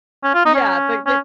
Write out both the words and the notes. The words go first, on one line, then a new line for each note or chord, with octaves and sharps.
Yeah, like they
C#4
F4
D#4
C#4
C#4